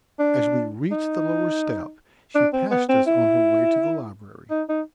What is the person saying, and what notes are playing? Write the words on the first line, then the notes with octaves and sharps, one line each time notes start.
As we reached the lower step, she passed us on her way to the library.
D4
D#4
D4
C4
B3
C4
E4
D#4
D#4